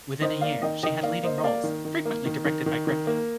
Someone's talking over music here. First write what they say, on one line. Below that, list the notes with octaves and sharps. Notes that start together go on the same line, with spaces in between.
Within a year, she had leading roles, frequently directed by Griffith.
D#3 C5 D#5
A#3 D5 F5
D#3 D#5 G5
D#3 D#5 G5
A#3 D5 F5
A#3 C5 D#5
D#5
A#3 D5 F5
D#3
D#3
A#3
D#3
D#3
D#3
D#3
A#3